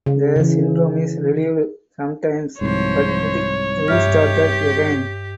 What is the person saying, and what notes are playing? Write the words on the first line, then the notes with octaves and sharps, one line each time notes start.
The syndrome is relieved sometimes but it restarted again.
C#3
C#3 E3
C2 G#2 F3 C5 C#5
G2 G4 E5 F6